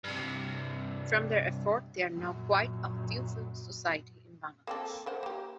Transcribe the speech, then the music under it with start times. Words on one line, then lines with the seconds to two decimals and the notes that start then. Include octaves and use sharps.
From their effort, there are now quite a few film society in Bangladesh.
0.04 G2 C3
2.14 F#2 A#2
4.67 A#3 C4 A4
5.06 A#4 C5 F#5
5.23 A#3 G4